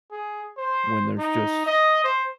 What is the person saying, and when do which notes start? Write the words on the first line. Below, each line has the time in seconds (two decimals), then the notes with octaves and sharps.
when there's just
0.12 G#4
0.57 C5
1.18 D#4
1.66 D#5
2.04 C5